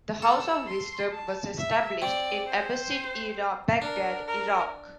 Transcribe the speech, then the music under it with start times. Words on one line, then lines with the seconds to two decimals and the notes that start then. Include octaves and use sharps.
The House of Wisdom was established in Abbasid-era Baghdad, Iraq.
0.22 A4 E6
0.67 C6
1.13 A5
1.57 E5
2.02 C4 D5
2.47 C5
3.82 D4 A#4
4.27 A#4